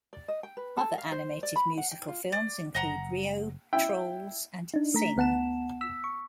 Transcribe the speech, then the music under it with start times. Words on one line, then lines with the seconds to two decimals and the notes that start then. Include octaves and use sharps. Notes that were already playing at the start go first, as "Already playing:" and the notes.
Other animated musical films include "Rio", "Trolls", and "Sing".
0.13 D5
0.28 D#5
0.43 G5
0.57 B4
0.77 A4
0.98 F5
1.12 C5
1.43 D5
1.56 B5
1.78 F#5
1.91 G5
2.08 F4
2.32 D5
2.75 F#1 D#5 F#5 A#5
3.73 E4 G5
4.74 D4 D#4
4.94 A3 A#5 B6
5.17 D2 B3 F#5 A5 E7
5.81 E6 B6
6.04 C#6